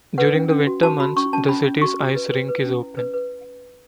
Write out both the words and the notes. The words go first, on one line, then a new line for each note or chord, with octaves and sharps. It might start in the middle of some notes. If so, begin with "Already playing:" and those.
During the winter months the city's ice rink is open.
B4 F#5
C#4
C#4
F#4
F#4 A5
F#4 B5
C#4 C#6
C#4 A5
C#4 B5
C#4
F#4 C#6
F#4
B4
B4
B4
C#4
E4
B4
B4